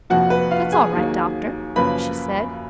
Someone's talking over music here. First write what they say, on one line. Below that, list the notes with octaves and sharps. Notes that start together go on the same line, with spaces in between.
"That's all right, Doctor," she said.
F1 F2 F3 A#3 F#4 F#5
B4
F4 F5
G#4 G#5
D#2 D#3 F#3 A#3
F#2 C#3 F3 A#3 B4 B5